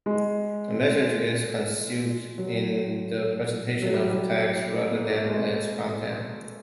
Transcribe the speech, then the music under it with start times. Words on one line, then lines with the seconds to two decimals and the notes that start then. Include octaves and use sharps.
A message is concealed in the presentation of text, rather than its content.
0.06 G#3
2.38 F#3
3.82 F#3
3.94 G3
4.71 A3
4.90 A#3
5.10 A3
5.29 G#3